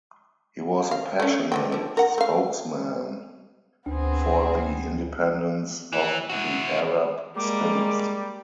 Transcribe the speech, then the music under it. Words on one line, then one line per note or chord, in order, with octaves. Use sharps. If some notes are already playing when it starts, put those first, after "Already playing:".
He was a passionate spokesman for the independence of the Arab states.
F5
A3 C#4
D3 E3 G5
D3 F3
A#4 F#5
A3 F5
D2 B3 C4 G#4
E3
E4 F#4
G3 G#3 A#3 D6